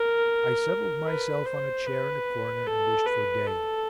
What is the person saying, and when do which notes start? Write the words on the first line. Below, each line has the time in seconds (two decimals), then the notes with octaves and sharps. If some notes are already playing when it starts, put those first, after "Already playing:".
I settled myself on a chair in a corner and wished for day.
Already playing: A#4
1.06 B4
1.46 C5
1.87 B4
2.66 A4
3.06 B4
3.46 A4